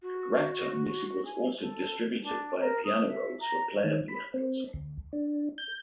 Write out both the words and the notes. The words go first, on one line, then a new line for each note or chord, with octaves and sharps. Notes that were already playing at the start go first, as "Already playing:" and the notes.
Ragtime music was also distributed via piano rolls for player pianos.
F#4
G#5
A4
D4
A#4
D#6
E5
A#5
D#3
B5
C4
D2
D4
G6